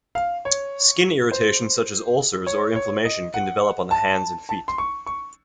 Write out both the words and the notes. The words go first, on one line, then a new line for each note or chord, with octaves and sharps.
Skin irritations such as ulcers or inflammation can develop on the hands and feet.
F5
C#5
C5
C#5
C#5
D#5
F#5
A5
A5
C6
C#6
C#6